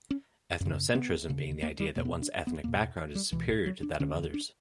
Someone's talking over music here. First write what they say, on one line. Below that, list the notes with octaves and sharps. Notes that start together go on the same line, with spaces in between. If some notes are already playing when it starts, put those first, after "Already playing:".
Ethnocentrism being the idea that one's ethnic background is superior to that of others.
C#4
F#2 C#3
B3
D2 C#3
A#3
G3
E2 B2 A#3
B3
D4
B3
E2 B2 A#3
G3
C#2 B2 E3
F#3
D4
D2 D3 C#4
D4